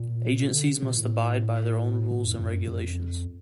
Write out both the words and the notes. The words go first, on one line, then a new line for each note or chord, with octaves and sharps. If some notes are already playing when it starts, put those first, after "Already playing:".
Agencies must abide by their own rules and regulations.
Already playing: A#2
C3
D3
A#2
A2
A2
F2
F2
G2
F#2
F#2
F2